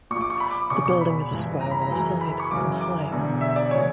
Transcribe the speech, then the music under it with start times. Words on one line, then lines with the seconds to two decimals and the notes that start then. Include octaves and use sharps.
The building is a square on a side, and high.
0.11 A#1 A#2 C#6
0.21 D6
0.30 C#6
0.40 B5
0.51 D6
0.61 D6
0.70 E1 E2 C#3 C#6
0.86 C#6
1.01 B5
1.31 G1 G2 E3
1.61 A#5
1.71 B5
1.82 A#5
1.91 F#1 F#2 E3
2.21 B5
2.40 C#6
2.51 F#1 F#2 C#3 E3 D6
2.81 D6
3.11 E1 E2 D3
3.41 E5
3.56 D5
3.71 C#3 E3 C#5